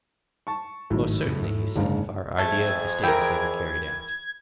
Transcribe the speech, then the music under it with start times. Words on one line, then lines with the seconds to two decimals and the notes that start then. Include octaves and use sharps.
Most certainly, he said, if our idea of the State is ever carried out.
0.47 A5 C#6
0.90 G#1 A2 F#3 D#4
1.27 F2 C#3
1.42 G#2
1.76 F#1 G#2 D3 D4 F5
2.38 F2 A3 G#4 A4 G#6
3.03 E3 A#4 G5